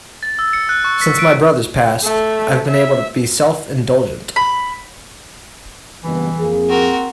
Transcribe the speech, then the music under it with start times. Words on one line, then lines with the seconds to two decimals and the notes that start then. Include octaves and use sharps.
Since my brothers passed, I've been able to be self-indulgent.
0.23 A6
0.39 E6
0.53 C#7
0.69 F#6
0.84 C#6
1.02 B6
1.19 D7
2.03 A3
2.67 E5
4.36 B5
6.04 F#1 G2 B2 E3
6.38 F2 A#3 G#4
6.69 C4 F#4 A#4